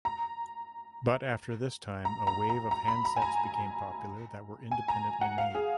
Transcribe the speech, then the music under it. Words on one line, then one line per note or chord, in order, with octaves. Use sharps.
But after this time, a wave of handsets become popular that were independently made.
A#5
A#5
A#5
A#5
A#5
B5
A#5
G#5
A#5
G#5
A#5
F#5
F5
G#4